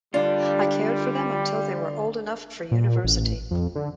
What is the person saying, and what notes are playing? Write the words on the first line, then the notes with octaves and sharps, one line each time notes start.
I cared for them until they were old enough for University.
D3 G3 D4 F4
A#2
A1
F2
D3